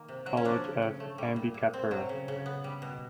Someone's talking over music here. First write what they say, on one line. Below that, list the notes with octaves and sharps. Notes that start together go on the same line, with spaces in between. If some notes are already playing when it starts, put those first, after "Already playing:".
College of Ambikapur.
Already playing: D#3 A#3
C3
F#3
C#4
F3 D4
C#3
C#3
A3
G3
A#2
A#2
C4
F#3
C#3
C#3
B3
G3
B2